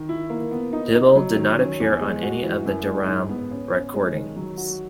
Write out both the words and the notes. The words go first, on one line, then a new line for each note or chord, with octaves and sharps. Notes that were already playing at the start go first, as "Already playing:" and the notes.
Dyble did not appear on any of the Deram recordings.
Already playing: D#3
E4
A#3
B3
D#4
D#4
F#3
D#3
C#4
E2
G#3
F#4
E3
F#2
G#3
G#2
B3
C#4
C#4
G#3
D#3
F#3
F#4